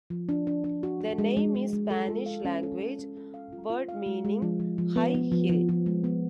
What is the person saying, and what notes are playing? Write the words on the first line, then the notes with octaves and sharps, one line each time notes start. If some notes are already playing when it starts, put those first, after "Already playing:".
The name is Spanish language word meaning "high hill".
F3
D4
D4
D4
F#4
F#4
G#3
G#3
G#3
G#3
A4
F4
F5
C#4
A4
A4
C#4
A4
F5
F4
F4
F5
G#3
G#3
F3
F3
F3
B3
B3
F3
F3
F3
G#3
B3